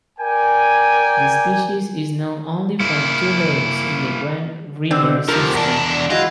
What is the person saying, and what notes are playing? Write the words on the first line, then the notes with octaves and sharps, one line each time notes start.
The species is known only from two lakes in the Grime river system.
A#4 D5 G5 G#5
A#3 E4
D3 C4
C3 F3 A#4
E2 D4
E3 G#3 F4 F#4